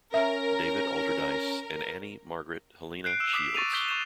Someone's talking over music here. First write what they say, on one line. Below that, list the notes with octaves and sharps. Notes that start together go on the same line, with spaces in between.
David Alderdice and Annie Margaret Helena Shields.
C#4 A#4 E5
F#6 G6 C7 D7
E6 E7
D6 D#6 B6 C7 E7
C#6 A6 D#7 F7
D#6 G6 B6 G7
C#6 G6 E7